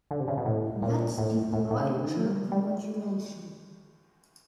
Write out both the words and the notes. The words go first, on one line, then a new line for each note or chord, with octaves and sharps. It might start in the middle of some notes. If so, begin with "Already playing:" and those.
Let's deploy chirp modulation.
D3
C3
C#3
B2
A2
A#2
A2
A2
A2
C#3
C3
D3
D#3
F3
G3
G3